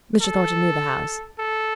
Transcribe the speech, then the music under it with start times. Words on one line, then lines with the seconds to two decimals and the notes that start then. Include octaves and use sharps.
Mr. Thornton knew the house.
0.21 A4
1.38 A4